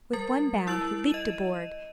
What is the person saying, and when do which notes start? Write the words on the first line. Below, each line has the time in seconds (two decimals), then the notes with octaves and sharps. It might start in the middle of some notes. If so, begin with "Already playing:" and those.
With one bound, he leaped aboard.
0.13 G3 A#4 A6
0.67 E4 E6 A6 D7 F#7
1.10 D#5 D#7 E7